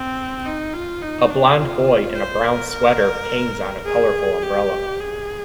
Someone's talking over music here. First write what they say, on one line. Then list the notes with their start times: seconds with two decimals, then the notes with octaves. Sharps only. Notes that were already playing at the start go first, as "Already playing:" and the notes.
A blond boy in a brown sweater pains on a colorful umbrella.
Already playing: C4
0.45 D#4
0.73 F4
1.02 D#4
1.30 D4
1.58 F4
2.15 C5
2.44 A#4
2.72 A#4
3.85 G#4
4.43 G4
4.99 G#4